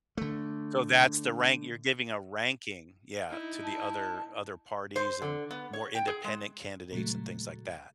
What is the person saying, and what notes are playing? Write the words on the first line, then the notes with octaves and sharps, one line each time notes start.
So, that's the rank; you're giving a ranking, yeah, to the other other parties and more independent candidates and things like that.
D3 A3
D#4 E4
A5
C5
D3
B3
C#5
G5
G#4
G#3
A#2 C#3 F#3 G#3 A3